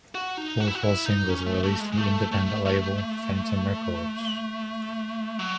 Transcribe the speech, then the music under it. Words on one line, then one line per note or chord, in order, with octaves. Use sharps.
All four singles were released on the independent label, Phantom Records.
F#4
D#4
F#4
E4
F#4
E4
D#4
C#4
A3
A3
G#3
G#3
A3
A3
A3
F#3